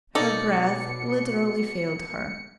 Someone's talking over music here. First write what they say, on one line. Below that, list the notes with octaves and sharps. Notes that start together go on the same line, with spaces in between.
Her breath literally failed her.
B2 C#4 D#4 A4 D5 C#7